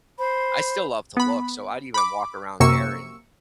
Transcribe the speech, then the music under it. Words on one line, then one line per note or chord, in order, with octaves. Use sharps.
I still love to look. So I'd even walk around there and
C5 B5
B3 B5
B5 D6
F#2 C3 A#3 C#6 E6 C#7